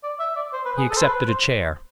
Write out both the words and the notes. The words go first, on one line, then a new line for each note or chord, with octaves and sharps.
He accepted a chair.
D5
E5
D5
C5
B4
G#4
A4
C5
B4
C5